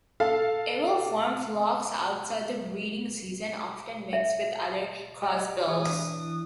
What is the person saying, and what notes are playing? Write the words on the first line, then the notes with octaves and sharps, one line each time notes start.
It will form flocks outside the breeding season, often mixed with other crossbills.
A4 F5
E5
G4 D5 D#5
E3 G#4 C#5 D#6
D4